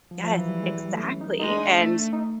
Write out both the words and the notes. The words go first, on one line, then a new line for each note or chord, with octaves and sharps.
yes, exactly, and
F3
F3
E3 F#3
G3
G#3
G3
F#3
G3
A3
C#4
D#4
G#3 D#4
D4
D#4
A3
D#4